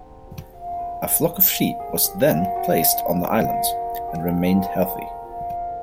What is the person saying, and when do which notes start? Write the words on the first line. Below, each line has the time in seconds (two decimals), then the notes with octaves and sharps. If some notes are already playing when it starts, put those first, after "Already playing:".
A flock of sheep was then placed on the island and remained healthy.
Already playing: A3 C4 D#4 F#5
0.27 F#3
0.53 F5
0.66 A3 C4 D#4
0.78 B4
1.03 G3 A4
1.42 A#3 C#4
1.79 G3 G#4
2.05 G4
2.18 A#3 C#4
2.30 F#4
2.56 A#3 F#4
2.93 D#4
3.32 A#3
3.70 D#4
4.08 A3 G4
4.27 A4
4.46 C4 F4 A#4
4.64 B4
4.83 A3 A#4
5.22 C4 F4
5.59 A3